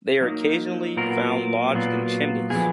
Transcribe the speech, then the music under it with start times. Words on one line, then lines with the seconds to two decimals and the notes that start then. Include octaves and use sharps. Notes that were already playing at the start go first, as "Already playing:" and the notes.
They are occasionally found lodged in chimneys.
0.21 F#3 A#3 D#4
0.97 A#2 F#3 B3 F4 A#4
1.73 A#2 F#3 B3 F4
2.50 D3 F3 B3 F4 G#4